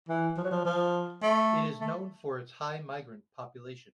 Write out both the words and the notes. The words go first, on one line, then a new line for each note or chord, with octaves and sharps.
It is known for its high migrant population.
E3
F3
F#3
F3
F3
A3
A3